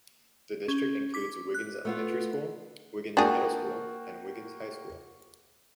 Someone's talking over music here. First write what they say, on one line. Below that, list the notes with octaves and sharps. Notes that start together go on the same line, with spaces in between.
The district includes Wiggins Elementary School, Wiggins Middle School and Wiggins High School.
C#4
D6 B6
F#6
A3 B3 F4
A#3 D4 F#4 G#4 G5